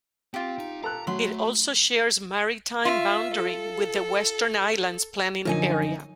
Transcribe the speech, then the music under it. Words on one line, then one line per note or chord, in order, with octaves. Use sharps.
It also shares maritime boundary with the Western Islands planning area.
C4 F4 G4
D#4
A4 A#5 F#6
F#3 A3 B5 C6
F4 E5
A4
F#2 D3 F3 D#4 G#5